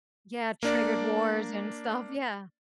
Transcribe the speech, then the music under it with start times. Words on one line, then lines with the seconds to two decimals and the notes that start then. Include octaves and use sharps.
Yeah, triggered wars and stuff, yeah.
0.63 A#3 D4 D5